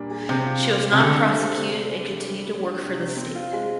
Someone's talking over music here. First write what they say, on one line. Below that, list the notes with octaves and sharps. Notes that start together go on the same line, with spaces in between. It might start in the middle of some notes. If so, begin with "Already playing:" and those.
She was not prosecuted and continued to work for the state.
Already playing: A#2 G3 A#3 D4
G#4
C3 C4
F4
G#3
G#3
C3
D3 G3
C4
C3
C3
D4
G#4
G3
G3
G3
D4
C3
C3
C4
F4
G#3